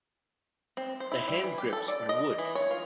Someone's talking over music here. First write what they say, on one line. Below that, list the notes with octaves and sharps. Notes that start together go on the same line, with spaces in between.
The handgrips are wood.
C4
C5
E4
G3
E3
G4
A4
D5
D#5
E3
C#5
F4